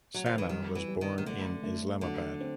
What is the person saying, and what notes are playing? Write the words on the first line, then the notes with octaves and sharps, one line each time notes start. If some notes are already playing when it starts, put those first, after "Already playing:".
Sana was born in Islamabad.
F#3
F3
E3
D#3 G3
E3
G3
D#3
D#3
D3 A3
A3
D3 F#3
C4